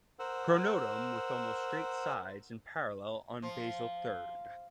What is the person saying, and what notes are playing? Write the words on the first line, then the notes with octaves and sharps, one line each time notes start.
Pronotum with almost straight sides and parallel on basal third.
A#4 C5 F#5 E6
F3